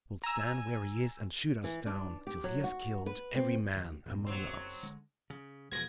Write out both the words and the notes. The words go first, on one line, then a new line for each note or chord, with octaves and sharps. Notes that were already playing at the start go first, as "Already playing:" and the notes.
He will stand where he is and shoot us down till he has killed every man among us.
G#5 A#5 E6
E3
D4
G4
F#3
F#4
B4
C4
D#2 D#3
E2 A#2 C4
A#2 F#3 C4
F#1 F#2
D3 G#3
C#3
E1 B2 F3 G#6 A#6